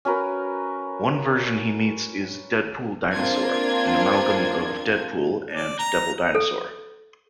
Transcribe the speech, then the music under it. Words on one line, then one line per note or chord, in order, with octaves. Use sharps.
One version he meets is "Deadpool Dinosaur", an amalgam of Deadpool and Devil Dinosaur.
C#4 F#4 A#4 B4
A#3 C4 D4 F4 G#6
D5
A#5
A4